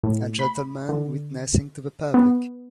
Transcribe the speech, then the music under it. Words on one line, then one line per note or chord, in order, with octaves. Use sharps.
A gentleman witnessing to the public.
A2
B5
D3
B3